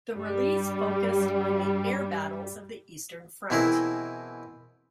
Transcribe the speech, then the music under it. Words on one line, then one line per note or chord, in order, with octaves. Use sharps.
The release focused on the air battles of the Eastern Front.
G2 G3 G4
B2 E3 C4 E4 G#4 A#4